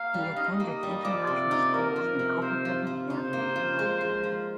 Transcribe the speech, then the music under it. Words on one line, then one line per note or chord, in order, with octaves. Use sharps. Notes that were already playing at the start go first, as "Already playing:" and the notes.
He attended International Schools in Copenhagen and Vienna.
Already playing: A#3 F5
G3
D#4 D#5
A#3
G3
F3 D5
C3
D#4
A#3 A#4
F3
C3
A#3 C5
F3
F3
D#4 C5
A#3
F3
G#3
F3
F3